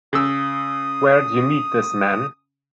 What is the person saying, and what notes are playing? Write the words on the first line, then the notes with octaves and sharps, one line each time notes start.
Where'd you meet this man?
C#3 D#6 E6